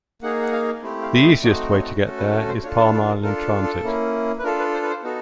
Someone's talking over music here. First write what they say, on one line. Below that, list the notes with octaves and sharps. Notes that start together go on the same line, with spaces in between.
The easiest way to get there is Palm Island Transit.
A#3 D#4 G#4 F#5
F#5
F5
A3 C4 E4 G4
F5
D#5
A3 C4 D#4 F#4 D5
C#5
A3 C#4 F#4 A4
B4
A#4
C5
D4 F4 A4 C#5
D5
A4
A#4
D4 F4 A4 A#4
A4
A#3 C#4 E4
B4
D4 F4 A4 A#4
B4
C5
B4
C5
B3 D#4 F#4 A4